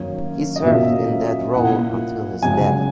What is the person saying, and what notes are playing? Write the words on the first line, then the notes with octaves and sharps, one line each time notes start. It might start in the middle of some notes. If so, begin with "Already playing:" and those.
He served in that role until his death.
Already playing: F#2 D#3 A#3 C#4
D#5
A#2 A#3 C#4 F#4 E5
A#2 A#3 E4 F#5
F#2 C#3 G#3 G#5